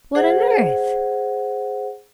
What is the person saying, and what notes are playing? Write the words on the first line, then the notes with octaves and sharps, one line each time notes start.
"What on earth?"
G#4 C5 F#5